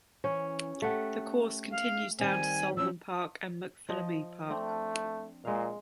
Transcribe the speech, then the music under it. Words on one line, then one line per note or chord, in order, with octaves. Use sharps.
The course continues down to Sulman Park and McPhillamy Park.
E3 C#4
A3 G4 A4 F#5
F5
D#3 G3 C4 G#5
F3 F#3 C#4 E6
F3 D#5
A3 C4 D4
A#2 G#3 F5